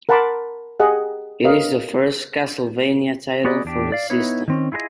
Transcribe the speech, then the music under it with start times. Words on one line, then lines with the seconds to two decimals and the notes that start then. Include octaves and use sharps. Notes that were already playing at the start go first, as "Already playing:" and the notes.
It is the first "Castlevania" title for the system.
0.09 A#4 F#5 A5 B5 C6 D6
0.80 G4 G#4 D#5 F#5
1.44 A#4 B4 C#5 D#5 F5
3.44 B3 F#4 G#4 B4 D5 D#5
3.65 E2 D4 G4
3.92 D5 F5
4.10 B3 D#4 E4 B4 C#5
4.48 D#3 C4 C#4
4.72 E4 F4 G#4 A#4 D#5